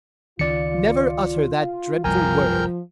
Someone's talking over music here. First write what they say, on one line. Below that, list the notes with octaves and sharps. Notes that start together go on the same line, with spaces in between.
"Never utter that dreadful word."
C#2 D#3 F4 D5 C#7
F#1 C2 F3 G3 A#4 G5 G#5 A#5